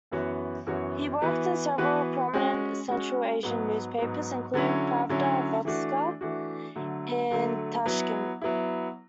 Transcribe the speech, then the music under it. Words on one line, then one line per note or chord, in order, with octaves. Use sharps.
He worked in several prominent Central Asian newspapers, including "Pravda Vostoka" in Tashkent.
F#2 E3 B3 F#4 C#5
F#2 E3 B3 F#4 C#5
E3 B3 F#4 B4
E3 B3 F#4 B4
G#3 C#4 F#4
G#3 C#4 F#4
G#2 F#3 B3
G#2 F#3 B3
D3 F#3 C#4 E4
D3 F#3 C#4 E4
E3 A3 D4 F#4
E3 A3 D4 F#4
D3 F#3 A3
D3 F#3 A3
F#3 B3 E4
F#3 B3 E4